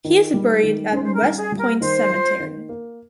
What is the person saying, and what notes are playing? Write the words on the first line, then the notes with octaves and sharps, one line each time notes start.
He is buried at West Point Cemetery.
D#3
G3
D#3
C#4 C5
C5
A#4
G3
G#4
G3
A#4
D#3 C5
F4
D#3
A#3